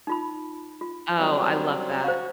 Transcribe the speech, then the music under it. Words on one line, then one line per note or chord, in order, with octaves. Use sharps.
Oh, I love that.
D#4 F4 B5
F4
F#3 G3 C4
F#4 C5 F5